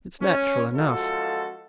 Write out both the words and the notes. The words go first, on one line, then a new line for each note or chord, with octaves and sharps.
It's natural enough.
C#4
F#2 F3 G#3 F4 F#4 A4